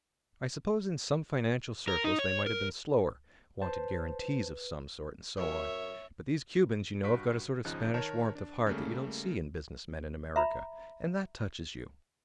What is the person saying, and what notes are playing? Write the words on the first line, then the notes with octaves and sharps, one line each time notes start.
I suppose in some financial circles they might have been slower, wanted guarantees of some sort, and so on, but these Cubans, you know, have got a sort of Spanish warmth of heart that you don't see in business men in America, and that touches you.
A#4
D#4
C#5
A#4
B4 C5 A5
F#2 C#5 E5
G2 F#4 B6 D7
G#1 C#3 F3 D#4 D#5 F#6
D#3 A#4 C#5 A5 E7
D4
C#3 G3 A3 A#3
E5 A#5 B5